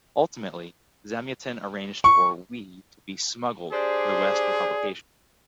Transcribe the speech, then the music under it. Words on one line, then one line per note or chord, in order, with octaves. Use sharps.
Ultimately, Zamyatin arranged for "We" to be smuggled to the West for publication.
C#6
D4 G4 G#4 C5 D5